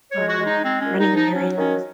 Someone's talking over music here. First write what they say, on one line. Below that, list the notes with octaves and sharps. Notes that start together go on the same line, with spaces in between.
Um, running errands
C#5
G#3
F#4
G#3
D#4
G#3 C4
C#4
A#2
D#4
F3
D#4
F#3 C#4
D#3 C#4